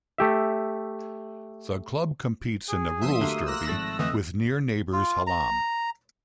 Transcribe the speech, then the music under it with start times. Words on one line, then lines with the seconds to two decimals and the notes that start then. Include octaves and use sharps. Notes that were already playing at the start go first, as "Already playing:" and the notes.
The club competes in the Rules derby with near neighbours Hallam.
0.18 A3 G4 E5
2.68 G#4
3.01 C#3 F3 B3 E5 C6 D#6
3.21 D3 A3 A#3 D4 F#4 G4
3.46 A#3 E6 F#6 A#6
3.67 G#1 F3 A3 A6
3.99 F2 D3 E3 A3 D#5
4.93 F4
5.27 A#5